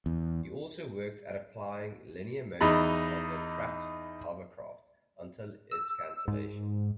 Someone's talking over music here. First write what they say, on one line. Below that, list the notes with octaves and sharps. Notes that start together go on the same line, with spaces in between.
He also worked at applying linear motors on the Tracked Hovercraft until its cancellation.
E2
E2 D#4 B5
E6
G#2